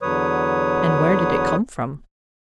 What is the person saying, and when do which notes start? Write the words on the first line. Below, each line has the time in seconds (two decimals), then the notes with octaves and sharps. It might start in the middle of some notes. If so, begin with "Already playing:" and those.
"And where did it come from?"
0.02 E2 D3 F#3 B4 C#5 D#6